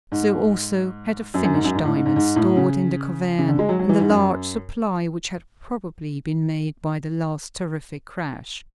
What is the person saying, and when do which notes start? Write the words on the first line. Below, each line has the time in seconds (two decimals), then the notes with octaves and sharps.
So, also, had the finished diamonds stored in the cavern and the large supply which had probably been made by the last terrific crash.
0.12 G#2
1.34 F#2
1.44 F#2
1.54 G#2
1.64 F#2
1.75 G#2
1.85 A2
1.95 G#2
2.06 G#2
2.16 G#2
2.36 A2
2.57 C#3
3.39 C#3
3.48 D3
3.59 G#3
3.69 F#3
3.79 F#3
3.89 E3
4.00 G#2
4.10 F#2